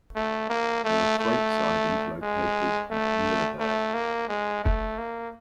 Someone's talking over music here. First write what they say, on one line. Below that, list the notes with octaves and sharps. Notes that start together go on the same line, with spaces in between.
There are freight sidings located at Myrdal.
A3
A#3
A3
A3
G#3
A3
A3
A#3
G#3
A3
A#3